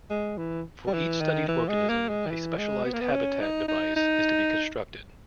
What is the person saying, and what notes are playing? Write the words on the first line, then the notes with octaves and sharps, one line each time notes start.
For each studied organism, a specialized habitat device is to be constructed.
G#3
E3
G3
E3
D#3
E3
G#3
A#3
G#3
D#3
E3
G#3
B3
A#3
B3
C#4
D#4
D#4
D#4